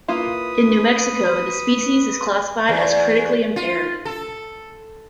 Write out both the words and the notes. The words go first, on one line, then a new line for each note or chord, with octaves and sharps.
In New Mexico, the species is classified as "critically impaired".
A#3 E4 F4 B4 D#6
E2
F4
A4